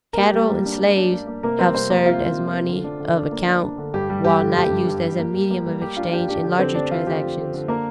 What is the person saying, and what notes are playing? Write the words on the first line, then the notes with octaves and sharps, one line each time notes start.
Cattle and slaves have served as money of account while not used as a medium of exchange in larger transactions.
A#4
A#3 G4
G3
A#3
D4
D4
D4
A#3
A#3
C3 A#3 A#4
G3 C4 C5
C3 C4 C5
A#3 C4 A#4
C3 F4
C3
C3
C4
D3
D4
D3
D4
A#3
D4
D4
D3
G2 G4
G3
G2 G4
D3
G2 G4
G2
G2
G2
A#3
G3
A#3
G3
G3 G4
D4 F4
D4 G4
D4 G4
D3 G4
D3 C4 C5
D4 D5
D4 F4
D3 G4
F3
D3
D3
A#3 D4 A#4